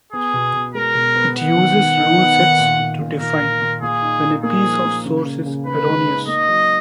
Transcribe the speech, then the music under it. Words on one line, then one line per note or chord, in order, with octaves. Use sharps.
It uses rule-sets to define when a piece of source is erroneous.
B3 G#4
B2
B2
G#3 A#4
B2
B3
B3 F#5
D#3
D#3
D#4
B3
D#3
A#2
A#2
A#2
A#2 A#4
A#2
A#2
A#2 G#4
D#4
D#4
A#3 G#4
F3
A#3
C#3
C#3
C#3
C#3 B4
G#3
D#4
A#3 D#5
F#3